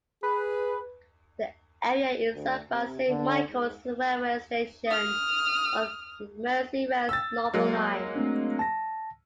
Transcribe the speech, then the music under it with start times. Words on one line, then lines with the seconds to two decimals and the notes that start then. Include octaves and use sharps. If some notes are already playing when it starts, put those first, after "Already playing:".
The area is served by Saint Michaels railway station on Merseyrail's Northern Line.
0.23 G#4 B4
2.35 D2
2.71 C3
3.07 D3
3.49 G#2
4.87 D#6 F6
7.09 E6 A6
7.54 F#3 G#3 A#3
8.16 A3 C4 D4
8.59 A5 A#6